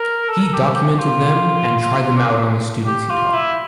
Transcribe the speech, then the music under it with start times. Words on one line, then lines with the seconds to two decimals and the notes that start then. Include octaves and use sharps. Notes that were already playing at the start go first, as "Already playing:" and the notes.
He documented them, and tried them out on the students he taught.
Already playing: A#4
0.29 A4
0.53 G4
0.75 G4
0.99 F4
2.17 D4
2.86 G4
3.10 F4
3.33 E4